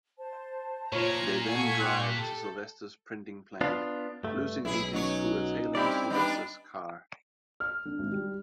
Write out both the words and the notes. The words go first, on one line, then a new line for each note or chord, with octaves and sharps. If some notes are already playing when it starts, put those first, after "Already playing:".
They then drive to Sylvester's printing plant, losing agents who are tailing Sylvester's car.
C5 A5
A#2 F4 C#5 A#5 G#6
A4 F5 F#5 G#5 C#6 G#6
G5 C6 D6 F#6
G4 A4
B3 D4 F4
G2 A3
B1 G#3 E4 G#4
F#3 C#4 D#4 C#5
G3 C4 E4 G4 D5
G3 B3 D4 D#4
F6
D3
G#1
G3